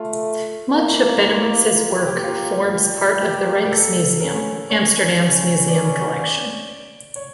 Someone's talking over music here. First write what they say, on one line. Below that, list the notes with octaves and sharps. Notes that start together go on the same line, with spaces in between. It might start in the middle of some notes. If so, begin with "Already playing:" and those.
Much of Bennewitz’s work forms part of the Rijksmuseum Amsterdam’s museum collection.
Already playing: A3 F4
A#3 E4
F4
G4
G4
A#3 F4
G3
A#3 G4
A#4
A4
C#4 A#4
C#4 C#5
C#4
D5
D5
C#5